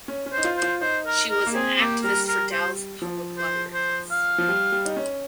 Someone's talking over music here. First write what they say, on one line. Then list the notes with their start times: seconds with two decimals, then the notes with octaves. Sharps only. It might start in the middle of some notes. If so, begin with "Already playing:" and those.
She was an activist for Dallas public libraries.
0.08 C#4
0.26 C#4
0.33 C5
0.38 D#4
0.44 F4
0.57 C5
0.63 F4
0.81 D#4 C5
1.06 A#4
1.30 A#4
1.47 A#3
1.55 C4 G#4
1.79 A#3 G4
2.03 G3 A#4
2.28 A#4
2.52 C5
3.02 F3
3.38 C5
3.74 C5
4.11 F5
4.38 F3
4.49 G3
4.72 G3
4.85 D#4
4.97 C#4